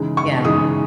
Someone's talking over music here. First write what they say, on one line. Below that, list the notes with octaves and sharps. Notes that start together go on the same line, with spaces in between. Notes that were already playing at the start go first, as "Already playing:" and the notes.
you know,
Already playing: C#3 E3 G#3 D#4
C#6
C#3 E3 G#3 D#4 D#6